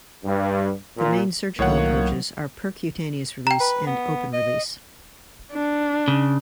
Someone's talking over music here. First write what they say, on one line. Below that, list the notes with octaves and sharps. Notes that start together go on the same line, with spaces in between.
The main surgical approaches are percutaneous release and open release.
G2
A#2
C2 A2 D#3 F#3 A#3 C#5 F#5
G5 A#5
B4
B3
D#5
D4
C#3